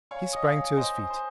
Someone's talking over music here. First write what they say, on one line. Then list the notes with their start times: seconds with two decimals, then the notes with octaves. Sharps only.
He sprang to his feet.
0.11 C#5 F5 G#5
0.33 D#5 D#6
0.44 C#5 F5
0.55 G#5
0.77 C5 D#5 G#5
0.99 G#5
1.10 C5